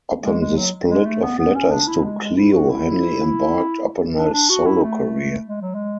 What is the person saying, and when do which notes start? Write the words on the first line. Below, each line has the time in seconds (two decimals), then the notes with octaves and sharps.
Upon the split of Letters to Cleo, Hanley embarked upon a solo career.
0.24 G#3
0.41 G#3
0.57 F#3
0.89 G#3
1.06 A3
1.23 B3
1.39 B3
1.55 C#4
1.71 D4
1.88 E4
2.04 G#3
2.20 G#3
2.37 E4
2.53 F#4
2.70 E4
4.17 D4
4.33 D4
4.50 F#4
4.66 E4
4.82 A3
5.48 G#3
5.61 F#3
5.75 G#3